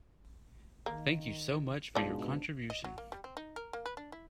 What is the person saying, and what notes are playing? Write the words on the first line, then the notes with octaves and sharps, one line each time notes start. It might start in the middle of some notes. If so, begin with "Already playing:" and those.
Thank you so much for your contribution.
D#3 A#3
G#2 B2 F3 D4 D5
D#5
F#3
A#3
G3
C4
D#4
A#4
A#3
B4
D4
E4